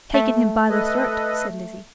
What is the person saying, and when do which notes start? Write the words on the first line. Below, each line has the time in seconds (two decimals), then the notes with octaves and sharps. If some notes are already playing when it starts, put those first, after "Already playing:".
"Taken him by the throat," said Lizzie.
0.14 A3
0.70 A4 B4 D#5